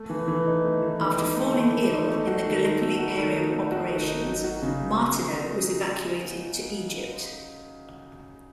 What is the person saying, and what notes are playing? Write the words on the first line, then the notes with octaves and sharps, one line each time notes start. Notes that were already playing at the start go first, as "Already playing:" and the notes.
After falling ill in the Gallipoli area of operations Martineau was evacuated to Egypt.
Already playing: A3
E3
E3
D#4
A3
E3
E3
D#4
A3
E3
E3
D#4
A3
F#4
D#3
D#4
A3
F#4
D#3
D#4
A3
F#4
D#3
D#4
F#3
F#4
C#3